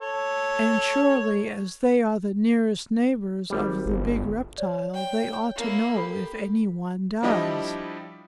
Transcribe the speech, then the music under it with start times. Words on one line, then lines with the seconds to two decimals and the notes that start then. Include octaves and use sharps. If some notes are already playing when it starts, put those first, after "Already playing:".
And surely, as they are the nearest neighbors of the big reptile they ought to know if any one does.
0.02 A4 C#5
3.50 G#1 G3
3.86 G1
4.58 C#5 D5
4.94 G5
5.56 A#3 E4
5.96 G4 A4 B5
7.23 F3 G3 D4 E4 G4 D#5